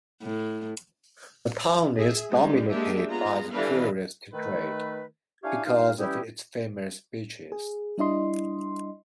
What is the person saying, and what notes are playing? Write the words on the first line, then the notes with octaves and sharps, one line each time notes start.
The town is dominated by the tourist trade, because of its famous beaches.
A2
G#4 E5
G3 G#3
G#3 A#3 D4 G4 E5
B3 F4 G#4 A#5
D3 E3 G3 D4 B4 F5
D#3 A3 B4
D4 E4 G4 C#5 F5 G#5
G2 A#2 D#4 A#4 F5
E3 G3 C#4 D#4 E4 G4
G#4
G3 D4 E4 D#5 C6